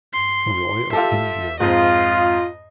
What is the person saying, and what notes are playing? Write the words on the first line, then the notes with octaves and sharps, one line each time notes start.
Roy of India.
C6
F4 G4 A4 E5
F2 G#2 F4 D#5